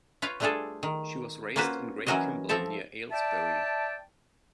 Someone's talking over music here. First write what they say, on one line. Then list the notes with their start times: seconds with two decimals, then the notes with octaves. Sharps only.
She was raised in Great Kimble near Aylesbury.
0.22 F4 B4 C#5 F5
0.40 G3 A3 D4 F4 G#4 A4
0.83 D#3
1.56 A#3 C#4 F4 F#4 B4 C5
2.07 E3 F#3 C#4 F#4 A#4 D#5
2.49 F3 A3 C4 A4 E5
3.12 D5 E5 G5 A5